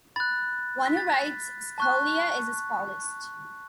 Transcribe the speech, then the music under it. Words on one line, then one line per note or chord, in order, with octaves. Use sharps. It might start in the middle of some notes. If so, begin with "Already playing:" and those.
One who writes scholia is a scholiast.
B5 F#6 A6
B6
A6
A5 C#6 F#6